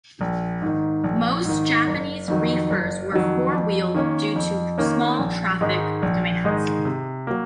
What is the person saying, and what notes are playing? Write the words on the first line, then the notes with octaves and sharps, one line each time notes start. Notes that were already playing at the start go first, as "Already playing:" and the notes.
Most Japanese reefers were four-wheeled due to small traffic demands.
A#1
G#2 D#3
A#1
G#2 D#3
F#1
F2 D#3 F#3
F#1
F2 D#3 F#3
F2
D#3 A#3 C#4
F2
D#3 A#3 C#4
A#1
G#2 D#3 G#3 D#4
A#1
G#2 D#3 G#3 D#4
C3
F#3 A#3